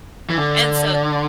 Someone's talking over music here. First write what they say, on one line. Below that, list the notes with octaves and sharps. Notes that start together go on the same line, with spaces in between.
and so
E3
D3